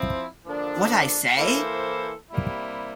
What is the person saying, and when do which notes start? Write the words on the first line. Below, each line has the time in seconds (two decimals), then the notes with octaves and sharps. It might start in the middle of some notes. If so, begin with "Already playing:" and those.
What I Say?
Already playing: F3 C4 E4
0.45 D3 F3 A#3 D4 A4
1.38 E3 A#3 E4 A4 C5
2.31 C3 G3 A#3 E4